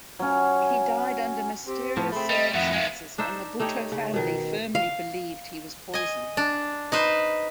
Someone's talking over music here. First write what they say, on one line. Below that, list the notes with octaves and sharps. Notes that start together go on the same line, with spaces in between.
He died under mysterious circumstances, and the Bhutto family firmly believed he was poisoned.
F#3 C#4
C4 G4
A2 F3 A5
A3 C4 G#4 B5
G3 D#5
F2 A2 D#3 E5 F#5
G#3 B3 E5 F5
D4 D#4 C5 E5
A3 D#4 G4 C#5
C#3
B2 D#3
F5
D#5 G#5
D4
D#4 B4 C5